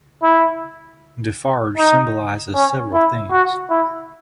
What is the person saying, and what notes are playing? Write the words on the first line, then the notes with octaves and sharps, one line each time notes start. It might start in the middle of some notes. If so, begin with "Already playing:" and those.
Defarge symbolizes several themes.
E4
D#4
C#4
E4
F#4
E4